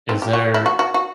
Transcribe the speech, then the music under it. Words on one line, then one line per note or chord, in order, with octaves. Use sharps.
is there
C4
G4
F#4
E4
F#4
F#4
F#4